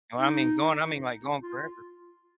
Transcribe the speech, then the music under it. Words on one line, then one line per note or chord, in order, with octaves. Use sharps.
And I mean, gone I mean, like, gone forever.
D#4
F4